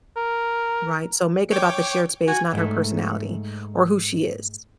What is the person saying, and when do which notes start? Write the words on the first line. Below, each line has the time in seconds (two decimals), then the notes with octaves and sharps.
Right, so make it about the shared space, not her personality, or who she is.
0.17 A#4
1.51 C#5 G5 D6
2.28 F#4 G#5
2.53 G#2 A3